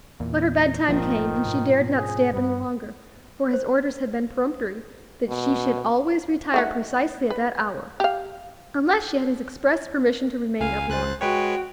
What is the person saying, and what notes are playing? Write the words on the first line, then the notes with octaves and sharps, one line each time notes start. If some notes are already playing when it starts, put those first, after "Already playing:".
But her bedtime came and she dared not stay up any longer; for his orders had been peremptory that she should always retire precisely at that hour, unless she had his express permission to remain up longer.
E2 A#2 E3
G1 D3 D#3 F3 A#3
G#2 B2
G#4
G2 B3
C5
B2
A3 D#4 F#4
B4
G4 F5
C#2 F5 G#5
C#2 C5 F#6 A6
G#3 F#4 B4 C#5 G5